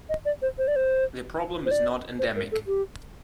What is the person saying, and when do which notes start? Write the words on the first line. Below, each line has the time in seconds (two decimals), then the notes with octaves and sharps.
The problem is not endemic.
0.09 D#5
0.25 D5
0.42 C5
0.58 C5
0.68 D5
0.76 C5
1.66 C5
1.71 D5
2.19 C5
2.36 A#4
2.52 A4
2.67 G4